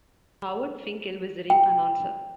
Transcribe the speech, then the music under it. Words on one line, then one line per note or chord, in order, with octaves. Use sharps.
Howard Finkel was the ring announcer.
G5